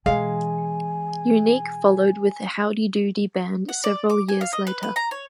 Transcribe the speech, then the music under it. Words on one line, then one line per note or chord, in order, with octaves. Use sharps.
Unique followed with a Howdy Doody band several years later.
B2 E3 G#3 F5 G#5
F#5
D5
D6
G#5
F5
D#5
B4
B4
A#5
C#5